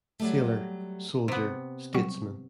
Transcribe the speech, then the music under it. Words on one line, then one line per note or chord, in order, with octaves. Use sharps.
Sailor - Soldier - Statesman.
F#3 G3 A3
C3 B3
F#3 G3 C#6